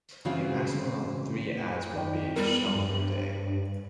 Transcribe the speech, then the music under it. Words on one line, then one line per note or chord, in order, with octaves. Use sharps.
A maximum of three ads would be shown per day.
C#3 E3 C4 F4 F#4 G#4
F#2 D#3 D5 G5
E2 G3 A#4
G2